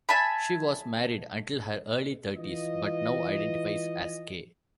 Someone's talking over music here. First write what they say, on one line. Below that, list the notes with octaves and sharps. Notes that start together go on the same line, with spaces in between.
She was married until her early thirties, but now identifies as gay.
E5 G#5 A5 B5
E3 F4 D#5